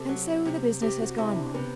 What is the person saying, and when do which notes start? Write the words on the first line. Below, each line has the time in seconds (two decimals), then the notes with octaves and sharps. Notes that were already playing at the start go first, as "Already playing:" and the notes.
And so the business has gone on.
Already playing: C3 A4
0.09 F#3
0.46 C3
0.82 C3 G4
1.00 F#4
1.18 C3 E4
1.36 D4
1.54 C3 B3